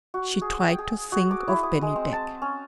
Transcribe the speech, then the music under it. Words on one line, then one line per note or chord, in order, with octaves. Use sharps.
She tried to think of Bennydeck.
F#4
G#4
G5
G#4
F#4
D6
E4
D#6
G#3
C4
A5
C#4